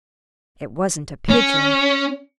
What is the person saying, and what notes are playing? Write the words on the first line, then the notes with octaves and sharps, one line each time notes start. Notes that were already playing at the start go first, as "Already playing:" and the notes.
It wasn't a pigeon.
C#4